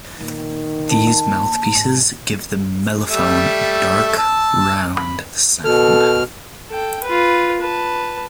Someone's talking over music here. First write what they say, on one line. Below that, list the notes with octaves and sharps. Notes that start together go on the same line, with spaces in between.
These mouthpieces give the mellophone a dark, round sound.
A#2 D#3
A5
D#2 F3
G#1 E2
G3 A3 E5
A5 E6
B5
B2 A4 F6
A4 G5
F4 B4
B4 A5